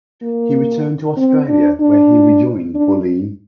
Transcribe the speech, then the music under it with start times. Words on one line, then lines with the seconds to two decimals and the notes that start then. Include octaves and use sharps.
He returned to Australia where he rejoined Bulleen.
0.22 A#3
1.17 C4
1.48 D4
1.80 D4
2.75 D4